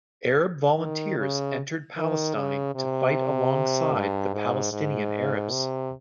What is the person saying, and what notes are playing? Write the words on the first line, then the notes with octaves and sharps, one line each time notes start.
Arab volunteers entered Palestine to fight alongside the Palestinian Arabs.
D#3
C#3
D#3
C#3
C3
G2
G#2
G#2
C3